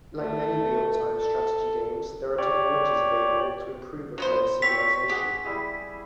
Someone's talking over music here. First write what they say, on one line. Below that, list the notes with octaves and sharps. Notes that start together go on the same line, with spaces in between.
Like many real-time strategy games, there are technologies available to improve a player's civilization.
A3
A4
G4 C#5 D5
F#3 B3 C5
C4 C#5 C#6 B6
G4 G#4 F#5
G3 E4 G#4